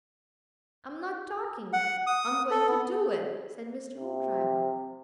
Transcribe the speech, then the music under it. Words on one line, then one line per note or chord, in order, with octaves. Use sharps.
"I'm not talking; I'm going to do it," said Mr. Hoopdriver.
F#5
D#6
A4
B3
C3